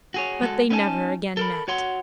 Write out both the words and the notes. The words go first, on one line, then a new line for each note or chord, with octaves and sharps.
But they never again met.
F#4 G#4 C#5
G#3 F#4 G#4 A4
B3 C#4 D#4 E5 G#5 A5
A4 A#4 B5
F#4 C#5 F#5 C6